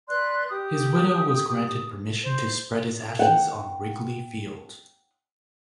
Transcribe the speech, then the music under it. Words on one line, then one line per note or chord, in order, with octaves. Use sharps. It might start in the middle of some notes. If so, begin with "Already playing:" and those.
His widow was granted permission to spread his ashes on Wrigley Field.
B4 D5 C6 F#6
G4 D#6
C5
F#5 G5